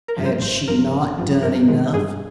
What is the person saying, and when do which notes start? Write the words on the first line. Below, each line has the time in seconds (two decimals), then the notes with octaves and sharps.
Had she not done enough?
0.08 A#4
0.17 G2 F3
0.25 C5
0.42 G#1 C5
0.67 G2 F3 A#4
0.93 G#1
1.18 G2 F3
1.43 G2 A#4
1.68 D#3 G#3
1.94 G2 G#4